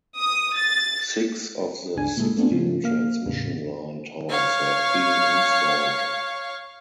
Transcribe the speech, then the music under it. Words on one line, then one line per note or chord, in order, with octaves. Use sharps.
Six of the sixteen transmission line towers had been installed.
D#6
A6
G1 C#2 D4 G#5
A#2 D3 G#3 E4 G#4 A4
A3 B3 C4 D4 F4
G#2 C#3 F3
A#3 F5
E2 A2 C#3
C#5 F5